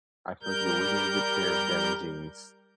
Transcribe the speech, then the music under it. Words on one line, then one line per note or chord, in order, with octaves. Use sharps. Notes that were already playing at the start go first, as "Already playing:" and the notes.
I feel like you always need a good pair of denim jeans
G3 A#4 G6